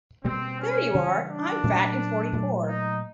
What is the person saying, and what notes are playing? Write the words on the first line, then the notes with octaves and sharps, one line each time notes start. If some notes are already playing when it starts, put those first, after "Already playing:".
There you are, I’m fat and forty-four.
B2 G3 A#3 C4
C#4
C#3 E3 G3
D4
A#2 F#3 A3 C#4
A#2 F#3 A3
D#4